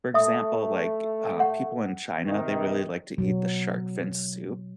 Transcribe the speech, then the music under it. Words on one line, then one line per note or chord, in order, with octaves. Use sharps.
for example, like, uh, people in China, they really like to eat the shark fin soup,
A3 E5 D#6
F#5
C3 D#3
B2 F#3